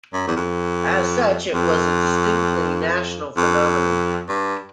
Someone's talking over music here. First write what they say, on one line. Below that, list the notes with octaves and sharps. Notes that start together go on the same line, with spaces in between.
As such it was a distinctly national phenomenon.
F#2
E2
F2
F2
F2
G2